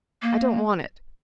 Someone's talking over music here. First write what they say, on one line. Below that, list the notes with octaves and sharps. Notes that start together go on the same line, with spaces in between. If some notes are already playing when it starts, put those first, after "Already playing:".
I don't want it.
A#3